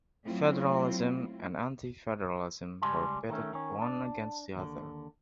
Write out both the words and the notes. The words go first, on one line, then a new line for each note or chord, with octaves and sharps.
Federalism and anti-federalism were pitted one against the other.
F#3 A3 C4 E4 F4
C#2 G3 G#5 A5 C6
D#3 A3 C#4
D#3 C#4
D4
D#2 D3